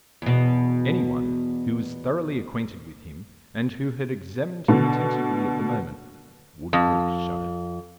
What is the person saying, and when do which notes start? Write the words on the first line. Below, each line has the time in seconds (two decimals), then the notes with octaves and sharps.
Any one who was thoroughly acquainted with him, and who had examined him attentively at the moment, would have shuddered.
0.22 E2 B2
4.68 B2 D3
6.73 F2